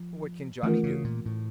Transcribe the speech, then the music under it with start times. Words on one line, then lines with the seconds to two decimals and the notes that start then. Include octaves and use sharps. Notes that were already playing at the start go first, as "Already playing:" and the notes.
"What can Johnny do?"
Already playing: F3
0.63 D#3 E3 A3 C#4 F4 A#4
0.83 C#3
1.04 A#2
1.26 A2